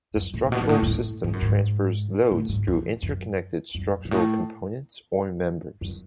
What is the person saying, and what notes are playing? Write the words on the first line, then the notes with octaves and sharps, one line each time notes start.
The structural system transfers loads through interconnected structural components or members.
F#2
A2
A2
B2
G#2
A2
G#2
A2
G#2
F#2
G#2
A2
G#2
E2
F#2
F#2
G#2
A2
F#2